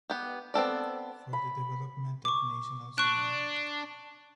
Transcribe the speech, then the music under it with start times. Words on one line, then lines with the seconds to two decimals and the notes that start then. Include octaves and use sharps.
For the development of national cinema.
0.10 B3 G4
0.54 B3 C4 A4 D5
1.33 B5
2.25 C#6 D6
2.98 D4 C#6 F#6